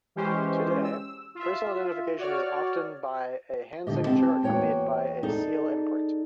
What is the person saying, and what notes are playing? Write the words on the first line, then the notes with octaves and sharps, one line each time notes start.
Today, personal identification is often by a hand signature accompanied by a seal imprint.
E3 G#3 C#4 G4 C5
E6
F4 E5
F#4 C#5 D5 F6
D#2 D3 G4 D#5
C4 G4 A5
E2 A#3 F#4 C#5 G5
D#4 G#4 A4 D5